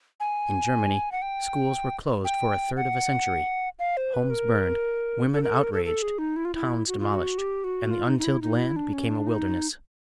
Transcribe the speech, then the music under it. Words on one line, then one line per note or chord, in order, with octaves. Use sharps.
In Germany schools were closed for a third of a century, homes burned, women outraged, towns demolished, and the untilled land became a wilderness.
G#5
F#5
G5
G5
F#5
F5
C5
B4
A#4
A4
A#4
A4
A#4
A4
A4
G#4
D#4
E4
F4
E4
F#4
F4
F#4
G4
F#4
F4
D#4
D#4
E4
D#4
E4
D4
C#4
D4
D#4